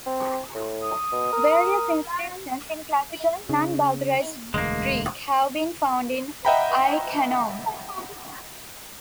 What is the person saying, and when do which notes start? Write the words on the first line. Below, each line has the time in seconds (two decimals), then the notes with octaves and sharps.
Various inscriptions in Classical, non-barbarized, Greek have been found in Ai-Khanoum.
0.06 C4
0.54 A2
0.82 D#6
1.12 B2
1.32 A#4
3.49 C#3
4.54 E1 D2 G#3 A#3
6.45 D#5 E5 F#5 G5 A#5 B5